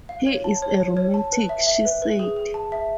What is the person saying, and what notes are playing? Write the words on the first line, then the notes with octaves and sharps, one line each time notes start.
"He is a romantic," she said.
F5
C#5
A5
C#5
C#5
C#5
A5
B4
E5
E5
B4
B4
G#4
G#4
A5
E5